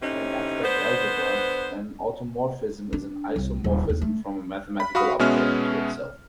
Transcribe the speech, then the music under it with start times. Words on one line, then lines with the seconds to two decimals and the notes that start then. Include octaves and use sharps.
In abstract algebra, an automorphism is an isomorphism from a mathematical object to itself.
0.02 A2 C3 C#4 D#4
0.64 D3 B3 C5
2.93 D4
3.36 C2
3.64 D#1
3.89 D#2
4.02 A3
4.80 B5
4.95 F#4 F5 B5 D#6
5.19 B2 G#3 B3 C#4 E5 F6